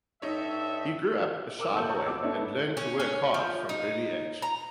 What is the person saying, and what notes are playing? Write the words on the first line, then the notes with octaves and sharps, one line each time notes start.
He grew up a shy boy and learned to work hard from early age.
G2 D#4 A4 C#5 E5
A#4 D6 E6
A2 A#3 A4 G6 F#7
C#5 D#5 A5 A#5 C#6
G1 F#4 D6 E6
B3 D4 E4 A4 C#5 D#5
A4 B4 D#5 E5
C#4
C#4
F3
D#4
A#5